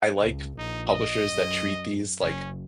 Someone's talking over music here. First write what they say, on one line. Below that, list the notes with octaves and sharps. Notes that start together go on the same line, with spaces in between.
I like publishers that treat these, like,
C#2
A#1 D#4
D#5
F#2
F#1 C#4